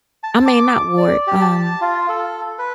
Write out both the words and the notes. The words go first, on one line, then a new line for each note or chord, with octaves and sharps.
I mean, not Ward, um
A5
D6
D5
G4
A5
F4
A4
B4